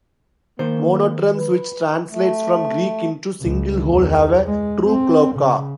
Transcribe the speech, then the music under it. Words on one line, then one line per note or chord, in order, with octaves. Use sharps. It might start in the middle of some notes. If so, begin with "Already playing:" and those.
Monotremes, which translates from Greek into "single hole", have a true cloaca.
D#3 A#3 C5
B4
A3
C#2
E2
G#3
C4
C#3